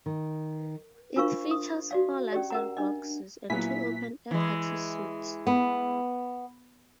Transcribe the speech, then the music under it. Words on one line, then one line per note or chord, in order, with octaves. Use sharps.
It features four luxury boxes and two open-air party suites.
D#3
D4 F4 A#4 C5 F5 C#6
D#6
F#4 D5 F5
C#4 G4 D5
A#4 F#5 A#5
D4 D#5
A#2 F#3 B3 E4 G#5 B6
E3 G#3
B3